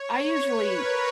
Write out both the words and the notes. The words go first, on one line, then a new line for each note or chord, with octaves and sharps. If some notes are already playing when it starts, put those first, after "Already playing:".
I usually
Already playing: C#5
B4
A#4